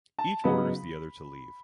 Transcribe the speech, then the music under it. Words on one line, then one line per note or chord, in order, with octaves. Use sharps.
Each orders the other to leave.
A5
C#3 F#3 B3 D#4 B5